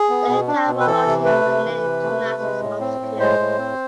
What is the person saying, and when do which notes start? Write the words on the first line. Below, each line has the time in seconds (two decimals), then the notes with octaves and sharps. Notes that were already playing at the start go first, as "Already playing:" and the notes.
The etymology of the name Tunas is obscure.
Already playing: G#4
0.09 B3
0.29 B2
0.48 D4
0.67 B2
0.80 B4
0.87 E3 A4
1.06 C3
1.25 A3 B4
1.45 C3
1.64 E3
1.83 C3
2.03 A3
2.23 C3
2.42 G#3
2.62 A2
2.80 C4
3.00 A2
3.19 G#3 C5
3.39 A2
3.59 C4